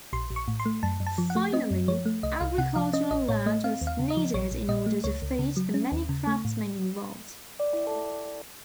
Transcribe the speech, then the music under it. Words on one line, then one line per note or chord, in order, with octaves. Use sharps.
Finally, agricultural land was needed in order to feed the many craftsmen involved.
A#1 C6
A#1
C#6
A2
C6
A3
F#2 A5
F#2
A5
F3
F#5
A3
C4 D#5
F#2
F3 C#5
A3
C2 D#5
C2 F5
C3 F#5
F3 F5
C#4 D#5
A1 D#5
A2 C#5
A3 D#5
C4 F5
D#2
F5
C#3
D#5
F3
A#1 C#5
A#1
A#2 D#5
A3
C#2 C#5
C#2
C#3
F#3
C#4
D#2
C#3
A3
A2